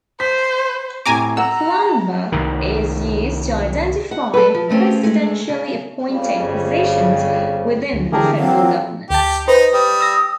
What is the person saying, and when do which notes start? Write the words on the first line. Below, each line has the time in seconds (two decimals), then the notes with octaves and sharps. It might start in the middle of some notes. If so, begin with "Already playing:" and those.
The Plum Book is used to identify presidentially appointed positions within the federal government.
0.20 C5 B6
1.06 A2 C3 G#5 A#5 D6
1.37 F#5 A#5 E6
2.32 C2 D#3
4.11 F#5
4.34 A4 B4
4.55 F3
4.69 C#3 A3 C4 C#4
5.03 G#3 A3
5.49 C#3
6.09 F2 C#3 G3
6.42 G1
7.93 D2
8.12 D3 E3 G4 G#4 A#4 A5
8.37 F#3 A#3 C4
8.62 F4
9.10 D2 G4 A5
9.48 D#4 B4 C5
9.73 G3 D#6
10.01 E6 A#6